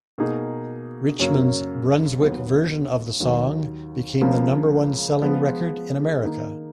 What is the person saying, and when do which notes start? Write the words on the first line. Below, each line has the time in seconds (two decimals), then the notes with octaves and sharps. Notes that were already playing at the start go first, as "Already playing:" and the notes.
Richman's Brunswick version of the song became the number-one selling record in America.
0.18 B2 A#3 D#4 G#4
1.19 F#2 C#3 F#3 A#3 C#4
2.20 D#2 D#3 F#3 B3
3.20 D#2 D#3 F#3
4.21 C#2 C#3 F3 A#3
5.22 F3 G#3 B3 F4
6.23 D#3 A#3 D#4